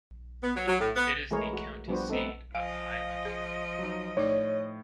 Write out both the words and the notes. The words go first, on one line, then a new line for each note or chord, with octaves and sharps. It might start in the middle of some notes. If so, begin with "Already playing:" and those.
It is the county seat of Highland County.
B3
F#3
F#3
A2
B3
E3 G#3 A3 G#4 A#4 C#5
F#4
F3 G3 B3 D4 F#4 C5
A3 B3 C4 D#4 A4
F3 D#5 F5 G#5 D7
G#4
F#3 D#4
A2 D#4 C#5 D5